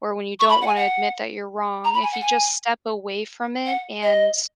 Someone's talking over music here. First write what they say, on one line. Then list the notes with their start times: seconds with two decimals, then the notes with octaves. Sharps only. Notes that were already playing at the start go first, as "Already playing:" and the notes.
or when you don't wanna admit that you're wrong, if you just step away from it and
0.40 C#6
0.49 B5
0.61 F#5
0.67 G#5
0.76 F#5
1.84 A#5
1.94 B5
2.03 G#5
2.12 F#5
2.21 G#5
3.66 F#5
4.02 D#5